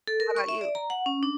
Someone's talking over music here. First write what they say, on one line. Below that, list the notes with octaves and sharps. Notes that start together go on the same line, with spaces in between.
How 'bout you?
A4
A#4
C#6
E5
D5
A#5
F#5
C#4
D4